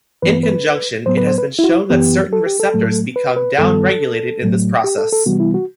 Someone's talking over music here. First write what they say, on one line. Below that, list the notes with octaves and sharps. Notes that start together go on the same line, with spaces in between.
In conjunction, it has been shown that certain receptors become down-regulated in this process.
G2 E3 B3 B4
B4
A2 F#3 B3 C5
B4
C5
B4
E4
F#4
E4
F#2 E3 B3 G4
A4
G4
A4
A2 F#3 A3
B4
B4
G2 D#3 G3 B3 A4
A2 F#3 A3
G4
A4
A4
C3 E3 G3 B3 F#4
E4
F#4